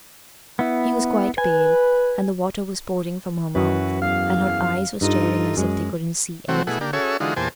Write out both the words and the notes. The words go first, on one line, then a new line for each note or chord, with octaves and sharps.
She was quite pale, and the water was pouring from her mouth, and her eyes were staring as if they couldn't see anything.
B3 E4
B4 G#5
F#2 E3 F#4 B4
E2 F5
G2 D#4 F4 A4
F#2 G#3
C3 F#3 A3 C4 F#4
B2 A3 E4 G#4 F#5
A#3 D4 G4
C#4 F#4 G#4 A4 C#5 E5
D3 E3 G#3 D#4 F4 F#4
E2 A#2 G4 C5 G#5 A5